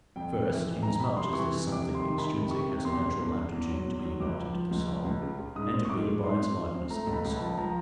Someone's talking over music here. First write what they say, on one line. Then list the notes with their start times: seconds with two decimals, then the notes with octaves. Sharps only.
First, inasmuch as this something extrinsic has a natural aptitude to be united to the soul, and to be by its likeness in the soul.
0.16 F2 G5
0.33 F2
0.48 E3
0.65 F2
0.82 F2 A#5
1.00 F2 B5
1.17 C3 C6
1.33 E3 C#6
1.51 C3
1.67 F2 D6
1.84 C3
1.95 C6
2.00 D#3
2.18 D#3 B5
2.35 C3
2.51 C3 C#6
2.68 C3
2.85 E2 C6
3.03 C#3
3.20 E2
3.36 C#3
3.52 E2
3.70 F#3
3.87 E2
4.04 F#3
4.20 C#2 D6
4.38 F3
4.54 F3
4.71 C#2
4.87 F3
5.04 C#2
5.22 C#3
5.39 C#3
5.55 G#2 D#6
5.73 C4
5.85 C#6
5.90 G#2 D6
6.07 G#3
6.23 G#2 C6
6.40 C4
6.57 F3
6.74 C4
6.90 A3 A#5
7.07 C#2
7.13 B5
7.25 C#2
7.36 F3 A5
7.58 F3 A#5